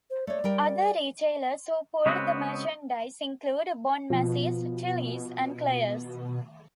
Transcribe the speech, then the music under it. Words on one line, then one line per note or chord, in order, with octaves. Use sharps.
Other retailers who pulled the merchandise included Bon-Macy's, Tilly's, and Claire's.
C5
A3 C#5 D5
G3 A#4 G5
C#3 G#3 B3 C4 F#4
B2 F3